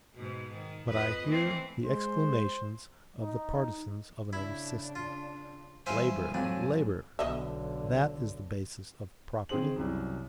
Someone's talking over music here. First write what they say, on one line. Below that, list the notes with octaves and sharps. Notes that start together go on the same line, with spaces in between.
But I hear the exclamations of the partisans of another system: "Labor, labor! that is the basis of property!"
G#2 B2
D#3
F2 B4 D#5
E3 A3 C4
G#3 C5
D#4
C#3 D4 E4
F4
E3 G3 C5 E5 F5 G#5
F2 A2 F#3 D4
B1 D3 B3 D#5 E5
D#3 C4 G#4 C5 F#7
C2 F#2